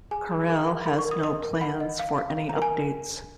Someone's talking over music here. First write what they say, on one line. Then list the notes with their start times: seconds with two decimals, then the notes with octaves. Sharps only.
Corel has no plans for any updates.
0.11 G#4 G#5
0.30 G#4
0.49 A#4
0.67 F#5
0.86 A#4 B5
0.99 C#6
1.05 A#4
1.11 D#6
1.23 D#5 D#6
1.43 A#4
1.61 F#5 B5
1.80 D#5
1.99 F5
2.18 F5
2.37 F5
2.49 A#5
2.56 A#4
2.62 G#5